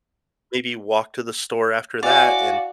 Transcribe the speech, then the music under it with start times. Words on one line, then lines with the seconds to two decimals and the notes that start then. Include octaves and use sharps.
maybe walk to the store after that and,
2.03 E4 F#4 C#5 D5 F5 G#5